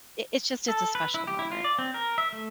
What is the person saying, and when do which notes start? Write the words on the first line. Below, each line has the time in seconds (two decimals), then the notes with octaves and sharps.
it it's just it's a special moment.
0.68 A4
0.95 B4
1.14 E4
1.27 G4
1.39 E4
1.52 F4
1.64 D5
1.79 C4
1.94 A#4
2.18 E5
2.33 A3